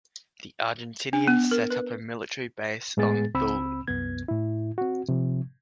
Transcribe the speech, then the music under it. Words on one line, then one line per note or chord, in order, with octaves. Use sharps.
The Argentinians set up a military base on Thule.
D4
B3
A#4
B4
A2 G#3 B3 G#4 A6
C#2 C4 B5 E6
C2 F#2 B3 G#6
A2 E4
C4 F#4
C3 F3